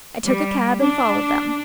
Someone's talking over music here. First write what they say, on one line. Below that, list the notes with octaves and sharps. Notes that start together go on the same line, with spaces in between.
I took a cab and followed them.
G3
D4